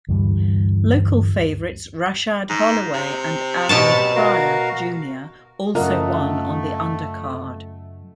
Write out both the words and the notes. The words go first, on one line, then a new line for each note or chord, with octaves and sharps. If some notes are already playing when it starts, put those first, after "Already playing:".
Local favorites Rashad Holloway and Aaron Pryor Junior also won on the undercard.
D2 G2 E3 G3
G#2
C3
B2 C#5 A5
F#4 A#4 F5
F#2 A2 C#3 A3 A#3 F4 D#5 F#5